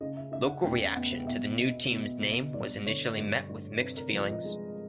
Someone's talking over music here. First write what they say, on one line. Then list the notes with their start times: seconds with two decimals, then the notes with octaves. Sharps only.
Local reaction to the new team's name was initially met with mixed feelings.
0.01 C#3 D#5
0.17 E5
0.32 C#3 E5
0.48 F#5
0.64 E2 G5
0.95 B3 F#5
1.27 B2 E5
1.59 B2 D#5
1.90 B2
2.22 B2
2.54 G2 D5
2.86 D3 C#5
3.18 G2
3.49 G2
3.81 C3 B4
3.97 A#4
4.13 F3 B4
4.29 D#5
4.44 G#3